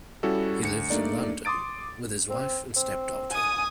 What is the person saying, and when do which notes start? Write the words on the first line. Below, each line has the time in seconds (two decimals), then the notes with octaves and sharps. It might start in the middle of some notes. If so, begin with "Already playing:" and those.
He lives in London with his wife and stepdaughter.
0.23 G3 C#4 E4 F#4 A4
0.63 D2 C#7
0.90 A3 A#3 D4 D#4 D5
1.45 C6 D6 D#6 A6 D7
2.30 C4
2.76 C4
3.32 G#5 D#6